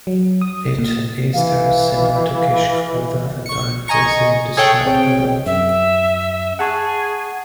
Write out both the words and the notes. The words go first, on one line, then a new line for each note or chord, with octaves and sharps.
It is very similar to "kishk" of the Levantine cuisine described below.
F#3
D#6
A#2
E3 F5
C#6 C#7
D#5 G#5 A#5 C#6
G#4 A4 C#5 G5
C4 G#4 C#5 G5
F#2 E5
G#4 F#5 A5 C#6